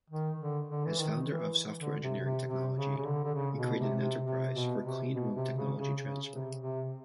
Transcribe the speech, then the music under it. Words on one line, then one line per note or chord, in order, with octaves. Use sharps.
As founder of Software Engineering Technology, he created an enterprise for Cleanroom technology transfer.
D#3
D3
D3
E3
D#3
E3
D3
C3
C3
C3
C#3
C#3
D3
D3
C#3
B2
C3
C3
C3
B2
C3
B2
C3
C#3
C#3
C#3
C3
C3